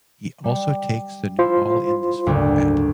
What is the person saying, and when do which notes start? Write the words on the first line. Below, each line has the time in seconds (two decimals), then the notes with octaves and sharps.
He also takes the new ball in this format.
0.44 G3
1.39 E4 F4 C5 C6
2.26 F#1 D2 G#2